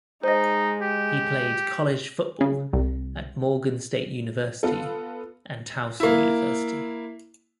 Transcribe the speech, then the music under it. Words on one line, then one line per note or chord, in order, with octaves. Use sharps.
He played college football at Morgan State University and Towson University.
G#3 D#4 C5 D#5
G4
C#3
C2
B3 F4 A4
A#3 E4